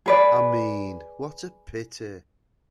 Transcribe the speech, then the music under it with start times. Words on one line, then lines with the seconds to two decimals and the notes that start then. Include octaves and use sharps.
I mean, what a pity!
0.06 G#4 B4 D5